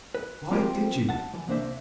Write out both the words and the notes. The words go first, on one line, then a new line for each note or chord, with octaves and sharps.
"Why did you?"
B4
C4 F4 G4 G#4 A#4 C5
F#5 A5
E3
C2 A#3 D4 C5 E5